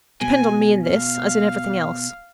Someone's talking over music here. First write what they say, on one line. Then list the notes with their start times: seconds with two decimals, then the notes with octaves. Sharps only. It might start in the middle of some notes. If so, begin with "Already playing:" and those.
Depend on me in this, as in everything else.
0.21 B2 G#5
0.87 F5